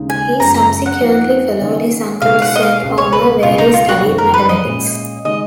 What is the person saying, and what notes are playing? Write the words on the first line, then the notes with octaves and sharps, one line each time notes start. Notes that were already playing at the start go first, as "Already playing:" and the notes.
He subsequently followed his uncle to Saint-Omer, where he studied mathematics.
Already playing: D#2 C#3 G#3 D#4
G#5
F#1 F#2 C#3 F3 G#3 A#5
A#5
F#5
F2 F3 A#3 D#4
D#3 A#3 C#4
B2 G#3 D#4 G#4 F5
F#5
D#5
F5
C#2 B2 G#3
C#5
B4
C#2 B2 G#3 F4
D#4
F4
F#4
F#1 F2 D#3
A#4
B4
D#5
A#2 G#3 C#4 F4
D#3 G#3 D#5